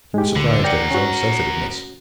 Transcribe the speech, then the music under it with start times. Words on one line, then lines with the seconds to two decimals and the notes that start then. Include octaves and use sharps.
He was surprised at his own sensitiveness.
0.14 G#3 G4
0.36 D2 D3
0.64 A#4 D5 F#5 G5
0.91 C#4 F#4